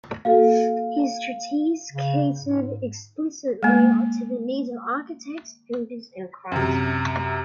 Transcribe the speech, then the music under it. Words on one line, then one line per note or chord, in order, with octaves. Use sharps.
His treatise catered explicitly to the needs of architects, builders, and craftsmen.
A#3 F#4 A4 F5
C#3
G#2
G#3 A#3
F#2 C3